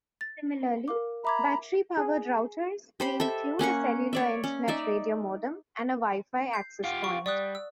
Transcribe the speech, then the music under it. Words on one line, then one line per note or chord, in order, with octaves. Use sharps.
Similarly, battery-powered routers may include a cellular Internet radiomodem and Wi-Fi access point.
A6
A#4 F5 D6
E5 A#5 B5 D6 G#6
G#4
G4 C5 B5
A4 E5
A#3 C#4 F#5 C#6
C#5 D5 E5
C#4
D#4 D5 E5
G6 C7
F4 G4 F5 F#5
C#6
G3 D5 D#6 F#6
E6